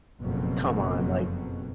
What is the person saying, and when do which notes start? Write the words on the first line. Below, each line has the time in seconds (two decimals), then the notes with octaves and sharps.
come on, like
0.20 F#1 F2 B2 F#3